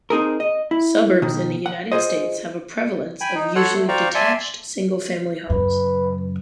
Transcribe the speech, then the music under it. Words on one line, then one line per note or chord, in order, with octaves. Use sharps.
Suburbs in the United States have a prevalence of usually detached single-family homes.
C4 D#4 G#4 A#4
D#5
E4
B2 D#3
F#5
F4 G4 G#4 C5 D#5
G5 G#5 B5
D#4
A4 C#5 F#5 C6 E6 F#6
A3
C5 D5 F5 G5 A#5 C#6
D5 E5 G#5 A5 C6
F#2 C#3 B4